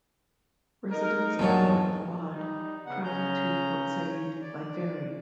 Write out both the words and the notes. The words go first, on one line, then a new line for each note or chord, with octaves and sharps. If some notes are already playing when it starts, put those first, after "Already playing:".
Residents of Port Fouad travel to Port Said by ferry.
D#4 A#4
E2 G2 A#2 F#3 C#5 A5
G3 D#4
C#3 B3 F#5
C#3 C#4 A#5 G6
C#5
D5